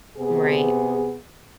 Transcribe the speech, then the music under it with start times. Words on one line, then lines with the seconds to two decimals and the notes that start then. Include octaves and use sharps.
Mm, right.
0.18 C3 B3 G#4